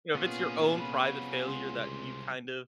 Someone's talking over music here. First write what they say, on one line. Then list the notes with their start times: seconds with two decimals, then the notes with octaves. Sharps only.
you know, if it's your own private failure that you kind of
0.15 C2 A#2 B3 C#4 F4 G#4
0.77 B5
1.45 C#2 C6